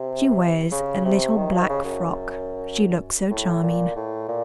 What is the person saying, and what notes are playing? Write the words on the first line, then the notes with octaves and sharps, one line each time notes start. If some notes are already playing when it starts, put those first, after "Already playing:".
She wears a little black frock; she looks so charming.
Already playing: C3
C#3
C3
D#3
F3
D#3
C#3
F#2
A2
A#2
A2
A#2